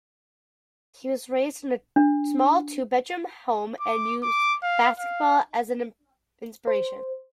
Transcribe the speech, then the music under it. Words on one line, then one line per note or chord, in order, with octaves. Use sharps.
He was raised in a small two-bedroom home and used basketball as an inspiration.
D4
D6
D6
F5
F5
C5